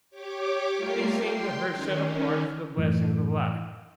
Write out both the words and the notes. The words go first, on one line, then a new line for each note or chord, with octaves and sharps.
He seemed to her set apart for the blessings of life.
G4 C#5 D6
G3 A3 F4 A#4 C7
G5 C6
D#3 C#4
F#2 A2 E3